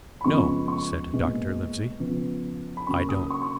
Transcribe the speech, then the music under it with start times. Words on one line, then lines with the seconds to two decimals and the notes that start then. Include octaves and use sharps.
"No," said Dr. Livesey, "I don't."
0.21 B5
0.24 F#2 C#3 F3 G#3 B3 C#6
0.68 C#6
1.12 A#2 G#3 B3
2.00 C#3 F3 B3
2.77 B5
2.87 C#3 F#3 A#3 C#6
3.09 D#6
3.30 C#6
3.42 C#6